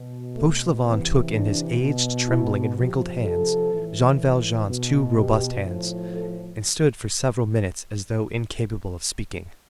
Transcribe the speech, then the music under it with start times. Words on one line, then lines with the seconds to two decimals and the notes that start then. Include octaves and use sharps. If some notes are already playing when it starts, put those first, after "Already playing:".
Fauchelevent took in his aged, trembling, and wrinkled hands Jean Valjean's two robust hands, and stood for several minutes as though incapable of speaking.
Already playing: B2
0.36 A3
0.84 C3 E3 B3
1.33 D4
1.81 B2
2.28 E4
2.76 C3 F3 G4
3.24 A4
3.72 A2 E3
4.68 B2
5.17 G4
5.65 A2 F3
6.13 A4